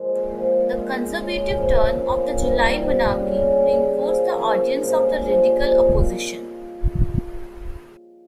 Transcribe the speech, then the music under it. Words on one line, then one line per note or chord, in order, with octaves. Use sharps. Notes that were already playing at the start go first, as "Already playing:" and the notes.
The conservative turn of the July Monarchy reinforced the audience of the radical opposition.
Already playing: A#2 F3 G#3
A#2 F3 G#3
C#3 G#3 C#4
C#3 G#3 C#4
F3 A#3 C#4
F3 A#3 C#4
G2 G3 C4 F4
G2 G3 C4 F4
C#3 G3 C#4
C#3 G3 C#4
F3 A#3 F4
F3 A#3 F4
G2 F3 G#3 C#4
G2 F3 G#3 C#4
C3 F3 A#3 D#4